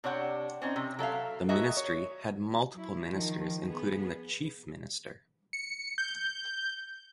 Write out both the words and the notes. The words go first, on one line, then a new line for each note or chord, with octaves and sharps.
The ministry had multiple ministers including the Chief Minister.
C3 D4 C#5 F#5 G5
C4 C#4 D#4
C3
F#3 A4 E5 F5
F#4 G#4 A#4 D#5 E5
C#5
F#3 E4
D#3 F3
B3 G#4
C#7
G6